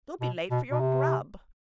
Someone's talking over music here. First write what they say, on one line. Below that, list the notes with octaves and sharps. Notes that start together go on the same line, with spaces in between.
You'll be late for your grub!'
B2
B2
B2
C3